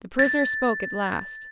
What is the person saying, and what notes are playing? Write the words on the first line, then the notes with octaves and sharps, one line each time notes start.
The prisoner spoke at last.
A6